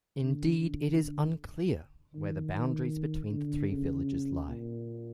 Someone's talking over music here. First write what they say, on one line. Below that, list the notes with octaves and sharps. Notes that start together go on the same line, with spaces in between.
Indeed, it is unclear where the boundaries between the three villages lie.
D3
D3
D#3
D#3
D3
C#3
A#2